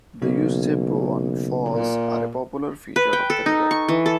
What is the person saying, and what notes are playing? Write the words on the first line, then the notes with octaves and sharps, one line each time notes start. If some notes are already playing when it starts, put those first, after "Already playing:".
The Uisge Ban Falls are a popular feature of the river.
B1 C#3 A#3
A#2
B4
G5
A4
D#4
C#6
E3
A4